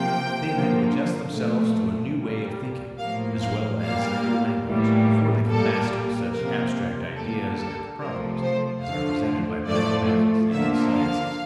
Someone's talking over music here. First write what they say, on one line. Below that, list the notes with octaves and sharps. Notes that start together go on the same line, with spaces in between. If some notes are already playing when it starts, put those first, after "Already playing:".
They have had to adjust themselves to a new way of thinking, as well as a new language, before they could master such abstract ideas and problems as are presented by mathematics and the sciences.
Already playing: C3 F3 A#3 G5
D3 F3 A#3
A#2 F3 A3
A#2 G3 A#3
A2 F3 A#3 F5
F5
A#2 G3 A#3 F5
A2 E3 G3 A#3
A#2 G3 A#3 A4
C3 F3 A#3 A#4
D3 G3 A#3 A4
A4
C3 F3 A3 A#4
C5
D3 F3 A3 F5
A2 F3 A3 D5
D3 F3 A#3 E5
F5